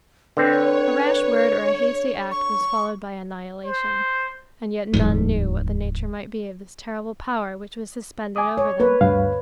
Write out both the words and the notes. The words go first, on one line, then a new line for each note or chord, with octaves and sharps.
A rash word or a hasty act was followed by annihilation, and yet none knew what the nature might be of this terrible power which was suspended over them.
D3 C4 B4 C#5
C#6
C5
D1 E2 G#2
G#5 D6 D#6
C#5
A#3 B4
D2 G2 F5